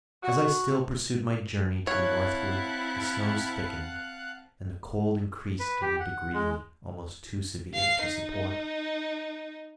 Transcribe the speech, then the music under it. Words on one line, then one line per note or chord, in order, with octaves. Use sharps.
As I still pursued my journey to the northward, the snows thickened and the cold increased in a degree almost too severe to support.
F#4
C4 E4 C#5 F5 F#5 A5 F#6
B4
G4
F#5
G#3
F5 C7
D#4